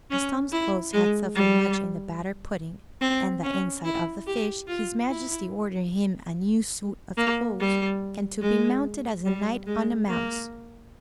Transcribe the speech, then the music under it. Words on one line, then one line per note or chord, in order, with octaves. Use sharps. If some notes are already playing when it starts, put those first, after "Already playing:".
As Tom's clothes had suffered much in the batter-pudding and the inside of the fish, his majesty ordered him a new suit of clothes and to be mounted as a knight on a mouse.
C#4
E4
G#3
G3
C4
C#4
E4
G4
F4
E4
A#3
G3
G#3
G3
G#3
A#3